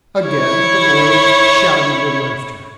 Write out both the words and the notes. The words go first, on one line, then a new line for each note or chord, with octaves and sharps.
Again the boys shouted with laughter.
E4 C#5